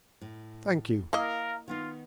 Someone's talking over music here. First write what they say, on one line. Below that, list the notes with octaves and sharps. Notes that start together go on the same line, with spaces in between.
"Thank you."
A2
A#3 E4 A#4 D#5 F5
D#3 B3 D#4 F4